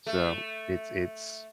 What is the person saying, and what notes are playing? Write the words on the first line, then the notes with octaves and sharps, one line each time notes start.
So, it's it's
A3